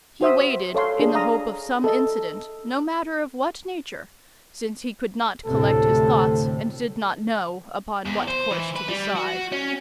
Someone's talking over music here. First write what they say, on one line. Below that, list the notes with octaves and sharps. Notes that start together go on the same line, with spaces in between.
He waited, in the hope of some incident, no matter of what nature, since he could not collect his thoughts and did not know upon what course to decide.
F#4 C5 E5 D#6
A4 C#5 F5 C6
D4 G#4
F5 A#5 D#6
A4 D#5
D2 A2 C3 A4
E2
C5
E3
B4
G3
F#4
C#4